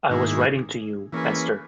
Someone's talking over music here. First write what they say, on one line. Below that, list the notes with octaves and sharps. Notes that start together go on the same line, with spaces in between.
I was writing to you, Esther.
G#2 D#3 A#3 E4 G#4
E3 A#3 C#4 G#4 B4